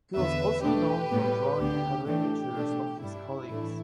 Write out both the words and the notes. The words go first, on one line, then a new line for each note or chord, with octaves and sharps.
He was also known for drawing caricatures of his colleagues.
E2 D3 B3 B4 E5
B2 A3 D4 G4 B4
A2 G3 B3
D2 D3 B3 D4 G4
A2 E3 A3 D4 G4
B2 A3 D4
G2 G3 D4 E4
A2 E3 A3 D4